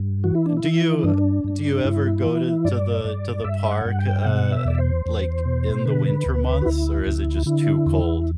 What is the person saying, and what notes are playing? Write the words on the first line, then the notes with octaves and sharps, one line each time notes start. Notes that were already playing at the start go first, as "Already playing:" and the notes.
do you do you ever go to to the to the park, uh, like, in the winter months or is it just too cold?
Already playing: G2
E3 F#4
E4
D4
E4
E3
E4
G2 D4
G2
G2 E4
E3
G2 D5
G2
G2 E5
F#5
G2
G5
B2 F#5
E5
E2 D5
C5
E2
B2
D3 B4
D2
F#4
D2 E4
D2
D3 E4
E2